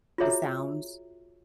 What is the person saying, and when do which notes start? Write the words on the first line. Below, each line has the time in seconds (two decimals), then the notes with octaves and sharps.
it sounds
0.18 F4 F#4 G#4 C#5 E5 A#5